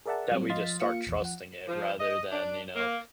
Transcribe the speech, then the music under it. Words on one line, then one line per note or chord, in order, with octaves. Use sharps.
that we just start trusting it, rather than, you know
G#4 A#4 D5 E5 F#5 A5
F#3 G3 C4
F3 D#5 F5 C6 A6 B6
A#3 F4 F5 C#7
A#1 E2
F3 F#5
F3
D#5
D4
A#3